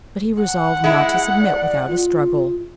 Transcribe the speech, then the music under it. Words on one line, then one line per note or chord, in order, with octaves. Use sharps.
But he resolved not to submit without a struggle.
F#5
G#3 E4 G#4
D5
F4